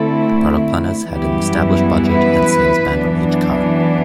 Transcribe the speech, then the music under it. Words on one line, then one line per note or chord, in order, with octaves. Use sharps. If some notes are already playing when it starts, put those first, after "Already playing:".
The product planners had an established budget and sales band on each car.
Already playing: D3 A3 C4 E4 A4
F#2 E3 G3 B3 E4 G4
B4
F#2 E3 B3 D4